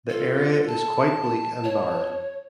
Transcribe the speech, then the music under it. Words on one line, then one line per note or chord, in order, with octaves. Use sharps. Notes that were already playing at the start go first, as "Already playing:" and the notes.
The area is quite bleak and barren.
F4 A4
A5
C#5